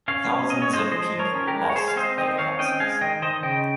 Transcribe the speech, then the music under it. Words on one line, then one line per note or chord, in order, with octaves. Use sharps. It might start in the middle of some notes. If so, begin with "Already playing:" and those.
Thousands of people lost their houses.
C#4 C#5 F5
C#4
C#4 D#5
C#5
G#3 C5 D#5
F3 C5 D#5
F3
A#4 C#5
C#4
G4 A#4
G#3
C#5
G#3 G#4 C5
F5
C4 C5 D#5
D#3 D#5 G5
C4 C#5 F5
C#4 D#5 G5
G#3 F5 G#5
D#3 D#5 G5
D#3 C5 D#5
C#3 D#5 G5